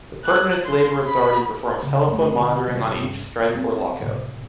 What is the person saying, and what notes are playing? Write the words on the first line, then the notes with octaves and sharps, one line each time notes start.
The pertinent labor authority performs telephone monitoring on each strike or lockout.
F#6
C6
B5
C#3
F#2 A3
D3
G2 C3
C4 D#4
A2 C3